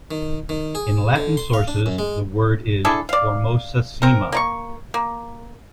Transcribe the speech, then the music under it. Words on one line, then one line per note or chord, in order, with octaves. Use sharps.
In Latin sources, the word is "formosissima".
D#3
D#3
G#4
D3
C6
F5
D4
F#2
G#3
D4 E4 G#4 A4
D5 F5
C4 A#4
A#3 D5 C#6
A#3